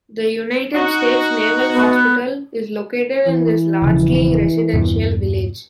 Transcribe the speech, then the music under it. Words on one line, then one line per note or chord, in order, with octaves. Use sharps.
The United States Naval Hospital is located in this largely residential village.
D#4 F#4
B3
E3
E1 C#3 F3
E2 G2 A#2